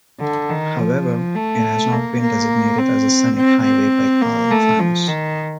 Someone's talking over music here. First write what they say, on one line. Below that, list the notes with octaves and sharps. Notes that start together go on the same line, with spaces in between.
However, it has not been designated as a scenic highway by Caltrans.
D3
D#3
F3
A3
A#3
A#3
C4
C4
C4
A#3
A3
F3
D#3